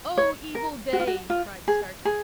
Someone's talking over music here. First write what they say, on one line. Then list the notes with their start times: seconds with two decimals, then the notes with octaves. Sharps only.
"O evil day!" cried Starkey.
0.17 C#5
0.55 A#4
0.93 F#4
1.00 F4
1.07 F#4
1.30 F4
1.68 G#4
2.05 G#4